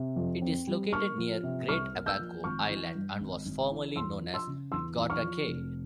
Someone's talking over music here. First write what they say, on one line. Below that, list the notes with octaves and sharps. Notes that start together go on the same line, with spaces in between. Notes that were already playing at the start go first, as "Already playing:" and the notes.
It is located near Great Abaco Island and was formerly known as Gorda Cay.
Already playing: C3
F2
C4
G3
A#3 C#6 F6
F3
C3
C2 C#6 F6
A#3
E6 G6
F3
G#1 C#6 F6
E3
G2
G#1
G#1
E3
E2 C6 E6
F3
C6 E6
C#3
E2 C6 E6
E2
C#6 F6
F3
F1